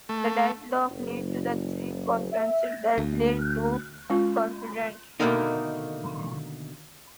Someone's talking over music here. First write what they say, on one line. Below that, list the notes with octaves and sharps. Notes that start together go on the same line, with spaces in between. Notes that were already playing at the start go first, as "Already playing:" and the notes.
The deadlock lead to the three conferences that lead to confederation.
A3
F#1
E5
D2
G#3 C#4 F4
B2 D3 D#3 A3 A#3 D#4